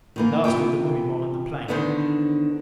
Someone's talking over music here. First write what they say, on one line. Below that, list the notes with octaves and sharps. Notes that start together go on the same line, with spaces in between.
The last of the women were on the plank.
D#3 E3 A#3
C3 E3 F4 G5
D3 D#3 B3 D4 A#4 C5